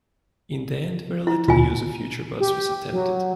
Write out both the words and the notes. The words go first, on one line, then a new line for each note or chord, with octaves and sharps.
In the end very little use of Futurebus was attempted.
E4
D#2 B2 D3 F4 G#5
G4
F#3